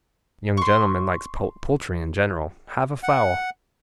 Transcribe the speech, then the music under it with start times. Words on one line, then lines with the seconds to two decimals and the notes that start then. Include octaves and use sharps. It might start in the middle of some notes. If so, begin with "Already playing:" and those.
Young gentlemen likes poultry in general: have a fowl!'
0.57 C6 C#6
3.03 F#5